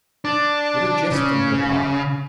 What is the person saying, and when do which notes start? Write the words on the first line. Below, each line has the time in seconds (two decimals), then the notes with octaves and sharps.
What a jest on her part!
0.25 D4
1.12 C#3